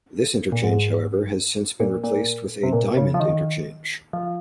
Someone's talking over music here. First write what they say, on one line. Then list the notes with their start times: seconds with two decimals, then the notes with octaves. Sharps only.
This interchange, however, has since been replaced with a diamond interchange.
0.52 A#2
0.64 G#2
1.80 A#2
2.04 A#2
2.63 C3
2.73 A#2
2.97 C#3
3.14 F3
3.20 D#3
4.13 F3